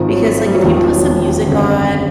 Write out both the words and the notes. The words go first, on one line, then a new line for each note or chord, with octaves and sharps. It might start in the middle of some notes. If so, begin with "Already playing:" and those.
Because, like, if you put some music on,
Already playing: G#1 G#2 D#3 F3
F#3
G3
F#3
E1 D#2 D#3 F3
F3
F#3
F3
G#1 F#2 D3